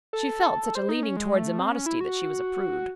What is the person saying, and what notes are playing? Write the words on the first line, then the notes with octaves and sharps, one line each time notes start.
She felt such a leaning towards immodesty that she was a prude.
A4
C5
D#4
C#4
G#3
A3
C4
C#4
E4
F#4